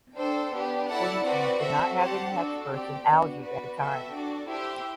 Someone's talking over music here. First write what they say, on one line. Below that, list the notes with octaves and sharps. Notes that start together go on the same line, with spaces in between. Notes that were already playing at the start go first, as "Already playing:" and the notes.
Queensland did not have any experts in algae at the time.
D4 A4 C5 G5
B3 D4 G4
E4 A4 D5 F#5 A5
C4 F#4 B4 D5 F#5
C4 F#4 A4 E5
G4 C5 F#5 A5
D4 F#4 A4 D5
C4 G4 D5 G5
B3 D4 F#4
F#4 B4 D5
B3 F#4 A4 E5 G5
D4 F#4 A4 D5
E4 G4 C5 G5